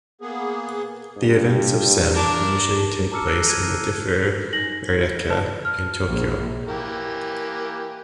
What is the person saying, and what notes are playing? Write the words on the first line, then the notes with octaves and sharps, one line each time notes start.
The events of Sem usually take place in the Differ Ariake in Tokyo.
A#3 B3 G#4
G2
D4 A#4
A5 A#5 D6 E6 F6 C#7
E6 F#6 A#6 C7 C#7
F6 F#6 G#6 D7 D#7 F7
D#4 A#6 F#7
B4 A5
F6
A#1
E3 A#3 G4